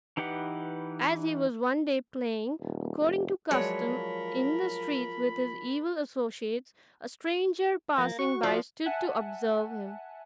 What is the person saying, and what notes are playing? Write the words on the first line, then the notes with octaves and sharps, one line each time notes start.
As he was one day playing, according to custom, in the street with his evil associates, a stranger passing by stood to observe him.
E3 D#4 G4 B4 F#5
D#1
F1
F3 F#3 G#3 A#4 C#5 D5 B5
F3 A#3
F#4 C#6
F3 D5
E5 F#5 G#5 A5 F#6